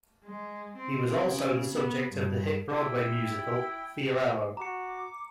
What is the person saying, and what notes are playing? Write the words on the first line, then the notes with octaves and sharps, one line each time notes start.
He was also the subject of the hit Broadway musical Fiorello!
G#3
C4
C#3
B3
G2
E4 G5
F#4 A#5 D6 C#7